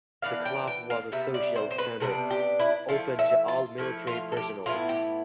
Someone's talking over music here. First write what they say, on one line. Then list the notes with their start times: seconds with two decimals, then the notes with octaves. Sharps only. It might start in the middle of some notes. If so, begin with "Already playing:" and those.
The club was a social centre, open to all military personnel.
0.22 E3 B3 D4 F5
0.45 G5
0.67 G5
0.90 F5
1.12 C3 G3 B3 E5
1.34 D5
1.56 C5
1.71 C5
1.78 B4
2.00 C3 G3 B3 D4 A4
2.31 G4
2.59 E4
2.89 F3 A3 E4 F4
3.19 E5
3.48 F4
3.78 F3 A3 E4
4.07 F4
4.32 A4
4.37 G4
4.66 A2 E3 B3 E4 F4
4.89 G4